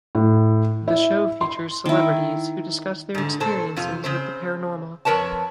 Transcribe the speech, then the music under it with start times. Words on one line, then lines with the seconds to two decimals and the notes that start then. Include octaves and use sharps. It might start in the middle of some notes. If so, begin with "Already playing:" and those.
The show features celebrities who discuss their experiences with the paranormal.
0.15 A2
0.88 E4
1.41 C6
1.86 D#3 E4
3.14 G#2 D3
3.40 A#2 A4 C5
3.76 F2 C3 F4
4.04 C#3 C4 C5
5.05 F2 A#4 B4 C#5 A5